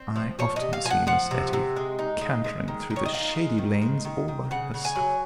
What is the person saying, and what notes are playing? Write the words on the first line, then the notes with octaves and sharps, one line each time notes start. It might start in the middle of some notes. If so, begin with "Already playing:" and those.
I often see Miss Etty cantering through the shady lanes all by herself.
Already playing: C4
F3
F3 C#5
D#5
C3
F5
F3 G#5
F#5
F3 F#5
C3
C3
G#3
D#4
G#3
G#3
D#3
D#3
C#5
D#5
D#4 F5
G#3
D#3
G#3
D#3
D#3
C#3 F#5
C#3
G#5
F#3